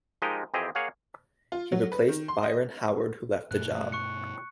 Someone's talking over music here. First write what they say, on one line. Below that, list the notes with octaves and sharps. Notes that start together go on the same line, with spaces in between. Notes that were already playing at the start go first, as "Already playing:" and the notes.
He replaced Byron Howard who left the job.
F3 G#3 D#4 G4 A#4 D#5
F2 E3 C4 G4 G#4 D#5
A#3 G#4 C#5 F5 F#5
F4
F#3
B4
D#3
C6
D#5
G2 B2 A3 F#6
C#6 F#6 C#7